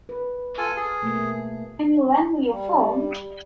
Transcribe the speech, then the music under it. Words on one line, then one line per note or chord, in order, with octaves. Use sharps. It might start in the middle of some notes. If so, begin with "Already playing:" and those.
Can you lend me your phone?
B4
F4 A4 G#5
G#4
B2 A3 A#3
G3